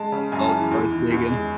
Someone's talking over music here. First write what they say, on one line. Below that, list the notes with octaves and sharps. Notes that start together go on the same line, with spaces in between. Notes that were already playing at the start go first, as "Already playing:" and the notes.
Oh, starts digging.
Already playing: G#3 A5
C#3
F#2 G#5
A5
G#5
E3
E2
D#3
E2
G#3